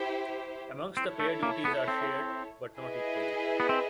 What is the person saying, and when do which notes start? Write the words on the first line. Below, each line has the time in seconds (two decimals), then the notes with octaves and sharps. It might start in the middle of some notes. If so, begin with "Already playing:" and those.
Amongst the pair duties are shared but not equally.
Already playing: E4 G4 C5
0.97 C4 E4 A4 C#5
1.20 A3
1.43 A#3
1.65 B3
1.88 C4
2.78 E4 G#4 B4 D#5
3.60 B3
3.69 C4